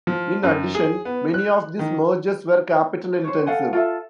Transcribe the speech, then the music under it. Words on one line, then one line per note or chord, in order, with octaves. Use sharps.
In addition, many of these mergers were capital-intensive.
F3
F#2
G#4
B3
F#6
D#3
C5 C#5
A4 F5 F#5 G#5
F4 A4 E5